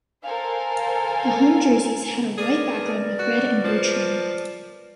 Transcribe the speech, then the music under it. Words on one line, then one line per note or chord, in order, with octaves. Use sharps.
The home jerseys had a white background with red and blue trim.
A4 A#4 C5 F5 G#5
G#4 A#4 B4 D5
F#4
F3